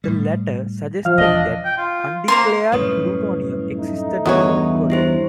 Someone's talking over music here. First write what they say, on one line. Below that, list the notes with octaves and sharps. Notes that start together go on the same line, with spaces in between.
The latter suggested that undeclared plutonium existed in North Korea.
A2 G3
F3 F5 F6
E1 D4 D#5
G5
F4
A#3 C5 A#5 C6
C2 F#2 A2 B4 C#5 D#6
A3 D#4
E2 G2 F#4 C#5 D#6
E4 G4 C5